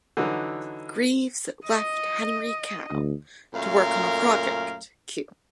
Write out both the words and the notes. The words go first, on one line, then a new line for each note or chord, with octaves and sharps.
Greaves left Henry Cow to work on a project, Kew.
D3 E3 F#3 D#4
D#5
D2
F#2 A#2 A3 A#4 F5